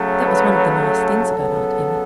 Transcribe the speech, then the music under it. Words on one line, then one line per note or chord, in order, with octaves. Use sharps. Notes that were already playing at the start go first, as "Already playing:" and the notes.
That was one of the nice things about Aunt Emmy.
Already playing: C#3 F#3 A3
B4
A4
C#3 F#3 B3